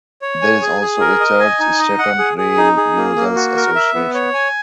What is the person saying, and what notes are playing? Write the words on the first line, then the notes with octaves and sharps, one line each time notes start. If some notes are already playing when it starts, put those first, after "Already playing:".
There is also a Church Stretton Rail Users' Association.
C#5
G#5
G#4
G#4
A#4
D#5
G#5
D#4
D#5
F#5
G#4
G#4
D#4
G#4
A#3
A#3
F#4
A#4
E5
B3
C#5
G#5